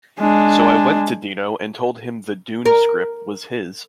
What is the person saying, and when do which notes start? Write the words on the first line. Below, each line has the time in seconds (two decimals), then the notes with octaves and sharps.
So I went to Dino and told him the "Dune" script was his.
0.20 G#3 D4
2.66 A#4